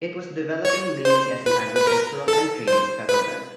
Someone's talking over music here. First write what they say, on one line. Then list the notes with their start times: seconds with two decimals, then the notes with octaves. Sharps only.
It was developing mainly as an agricultural and trading settlement.
0.65 C#5
1.05 C5
1.46 B4
1.76 B4
1.87 A#4
2.28 A4
2.68 C5
3.09 B4